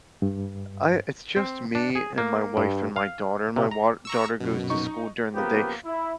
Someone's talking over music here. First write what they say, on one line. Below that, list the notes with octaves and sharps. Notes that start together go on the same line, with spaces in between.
I it's just me and my wife, and my daughter, and my wa daughter goes to school during the day,
G2
C4
D4
G#4
A#3
G2
F5
C3
A#5
A#5 C#6 E6
F#2 B2
D#4 C#6
C#3 F3 A#3 B3 G4
E4